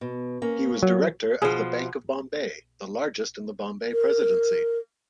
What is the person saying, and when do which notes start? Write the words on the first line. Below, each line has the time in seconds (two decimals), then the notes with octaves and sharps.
He was director of the Bank of Bombay, the largest in the Bombay Presidency.
0.01 B2
0.42 A#3 C#4
0.83 F#3
1.42 B2 F3 G#4
3.92 A#4